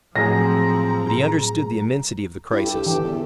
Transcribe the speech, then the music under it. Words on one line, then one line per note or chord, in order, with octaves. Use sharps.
But he understood the immensity of the crisis.
A2 F3 F#3 C4 G#4 A#5 A#6
G2 E4
G4 A4
D3 E3 G4
E2